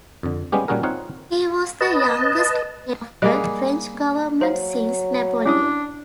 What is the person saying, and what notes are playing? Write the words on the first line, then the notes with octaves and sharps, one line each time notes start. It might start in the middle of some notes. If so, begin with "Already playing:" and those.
He was the youngest head of a French government since Napoleon.
F2 D3
G3 G#3 B3 C#4 G4
A#2 G3 C#4 F#4 G#4 A#4
C4 D#4 F4 C#5 F5 F#5
B4 D#5 A5
G3 A#3 G#4 D#5 F#6
F#3 C5 F5
C#4 D4 E4 D#6